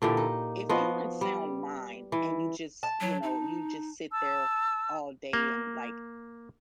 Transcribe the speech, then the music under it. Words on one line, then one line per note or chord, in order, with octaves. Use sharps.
if you're in sound mind and you just you know, you just sit there all day and, like,
A#2 D3 E3 G4
D#4
F3 B3 F#4 D#5
G3
E3
A5
F#3
D#4
A5 E6
A#3